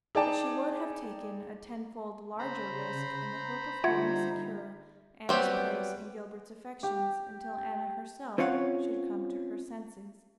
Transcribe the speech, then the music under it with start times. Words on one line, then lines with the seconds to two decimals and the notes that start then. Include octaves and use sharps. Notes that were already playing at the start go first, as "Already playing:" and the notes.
But she would have taken a tenfold larger risk in the hope of holding secure Anna's place in Gilbert's affections until Anna herself should come to her senses.
0.15 D#4 G#4 D5 G5 A5
2.39 C#3 C5 A#5 B5
3.84 D3 G3 D#4 F4 E5 F#5 G#6
5.29 F#3 G3 B3 C4 G4
6.83 G4
8.38 C4 C#4 F4 C#5 F5 F#5